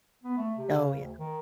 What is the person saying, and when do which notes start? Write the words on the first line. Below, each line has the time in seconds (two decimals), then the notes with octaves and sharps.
Oh, yeah.
0.24 B3
0.37 A3
0.57 C3
0.72 C#3
1.00 D2
1.17 D#3